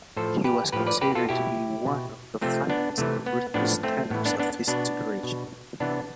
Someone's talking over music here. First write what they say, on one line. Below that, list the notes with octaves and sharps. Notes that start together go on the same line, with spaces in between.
He was considered to be one of the finest British tenors of his generation.
A2 F3 A4 C5
G4 B4
A2 F3 G4 B4
B4 D5
G4 B4
F4 A4
B2 E4 G4
B2
C3 F3 A3 C4
B3 D4
C3 E3 A3
B3
A2 F3 B3 D4
A3 C4
A2 E3 B3
B3 D4
B3 D4
B2 B3 D4
B2
C3 E3 B3 D4